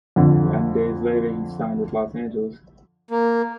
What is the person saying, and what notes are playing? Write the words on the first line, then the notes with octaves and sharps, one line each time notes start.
Eleven days later he signed with Los Angeles.
F2 D3
A#3